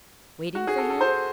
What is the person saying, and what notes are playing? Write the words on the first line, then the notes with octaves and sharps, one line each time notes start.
Waiting for him?
F#4
G#4
A4
A4
C5